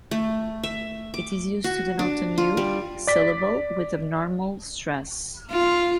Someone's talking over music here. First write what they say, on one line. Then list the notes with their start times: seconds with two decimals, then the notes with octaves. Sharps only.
It is used to denote an "u" syllable with abnormal stress.
0.11 A3
0.63 E5
1.14 D6
1.64 F#4
1.99 D4
2.38 F4
2.57 G3
3.07 D5 B6
5.51 F4